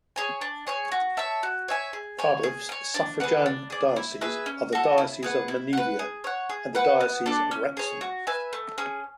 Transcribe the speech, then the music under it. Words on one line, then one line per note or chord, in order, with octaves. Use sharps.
Cardiff's suffragan dioceses are the Diocese of Menevia and the Diocese of Wrexham.
G#4 C#5 G#5
D4
G#4 C#5 G#5
F#4
C#5 E5 A5
F#4
C#5 E5 G#5
G#4
C#5 G#5
G#4
C#5 G#5
D4
G#4 B4 F#5
D4
G#4 D5
E4
G#4 B4 E5
C#4
F#4 A4
E4
G#4 B4 F#5
E4
B4 F#5
G#4
C#5 F#5
G#4
B4 F#5
B3
D4 A4 D5
C#4
G#4 C#5
F#4
B4 E5 G#5
A3
C#4 G#4